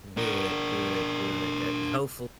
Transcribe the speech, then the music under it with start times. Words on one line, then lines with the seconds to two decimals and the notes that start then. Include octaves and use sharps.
Good, good, good, that hopeful
0.17 D4 A#4